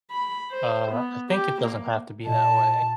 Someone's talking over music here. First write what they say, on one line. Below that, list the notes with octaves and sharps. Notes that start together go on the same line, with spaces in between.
Uh, I think it doesn't have to be that way.
B5
C5
B3
G4
A#3
A#2 D#5 A5